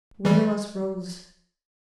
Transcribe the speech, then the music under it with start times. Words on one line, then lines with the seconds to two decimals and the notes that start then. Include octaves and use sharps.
Where was Rose?
0.25 E3 G3